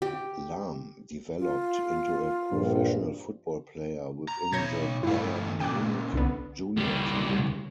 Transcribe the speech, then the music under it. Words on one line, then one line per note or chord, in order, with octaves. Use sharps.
Lahm developed into a professional football player within the Bayern Munich Junior Team.
G4
F4
A#1 G2
A#5
B2 C#5 G6 G#6 A#6
G2 A3 E4 F5
A#2 C#3 G5 D6 F#6
C2 D3 B3
C#2 G3